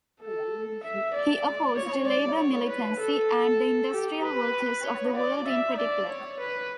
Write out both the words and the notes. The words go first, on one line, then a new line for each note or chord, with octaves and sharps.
He opposed labour militancy and the Industrial Workers of the World in particular.
A4
E5
D5
C#5
D5
C#5
B4
A4
G4
B4
C#5
D5
E5
D5
C#5
B4